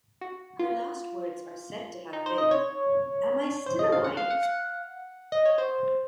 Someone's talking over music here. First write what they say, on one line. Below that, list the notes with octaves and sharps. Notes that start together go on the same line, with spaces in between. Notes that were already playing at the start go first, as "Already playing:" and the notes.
Her last words are said to have been Am I still alive?
F#4
F4
D#4
C5
D#5
C#5
C5
D#5
F5
F#5
F5
F#5
F#5
D#5
C#5
C5